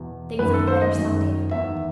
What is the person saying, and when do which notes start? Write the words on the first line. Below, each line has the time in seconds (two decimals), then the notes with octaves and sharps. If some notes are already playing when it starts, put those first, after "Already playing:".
Things'll be better some day, no doubt.'
Already playing: E2 B2
0.39 F#2 D#3 B4
0.54 A4
0.67 C5
0.82 D#5
0.95 F#2 D#3 D#5
1.51 E2 D#3 E5